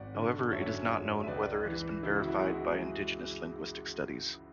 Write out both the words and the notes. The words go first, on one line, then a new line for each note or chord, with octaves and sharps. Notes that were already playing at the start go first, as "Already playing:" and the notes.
However, it is not known whether it has been verified by Indigenous linguistic studies.
Already playing: G#1 D5 F#5
D3
F#2 C#5 E5
G#3
E5
C#2 B4 D5
E3
C#3 E4
F#4
E4
G#3 F#4
E4